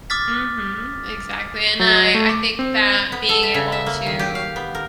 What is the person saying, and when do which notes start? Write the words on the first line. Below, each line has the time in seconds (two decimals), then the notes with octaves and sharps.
mhm, exactly. And I I think that being able to
0.10 D6 D#6 F6 A6 B6
1.80 F#3
2.15 A3
2.29 D6
2.59 C4
3.12 B3
3.29 A4
3.43 E5
3.54 C#3
3.72 E5
3.86 A#3
4.06 D#3
4.19 G4
4.35 F5
4.56 B3
4.75 A#4